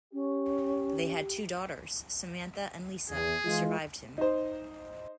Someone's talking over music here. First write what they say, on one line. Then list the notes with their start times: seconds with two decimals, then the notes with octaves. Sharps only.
They had two daughters, Samantha and Lisa, who survived him.
0.13 C#4 G4
3.10 E2 G#4
3.46 E3 G#3 F4
4.18 D#4 C5